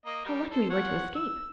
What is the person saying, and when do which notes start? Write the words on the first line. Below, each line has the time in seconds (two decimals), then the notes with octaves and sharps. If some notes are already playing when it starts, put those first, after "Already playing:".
How lucky we were to escape!'
0.06 A#3 D#5
0.26 G3 A#4
0.52 A4 C5
0.70 F3 C#5 F#5
1.16 E6